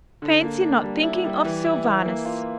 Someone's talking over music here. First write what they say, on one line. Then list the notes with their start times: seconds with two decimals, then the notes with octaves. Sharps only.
"Fancy not thinking of Sylvanus!"
0.22 D3
0.42 A#3
0.62 D4
0.83 G3
1.03 E4
1.24 G3
1.45 E3
1.65 E4
1.84 E3
2.06 A#3
2.25 F4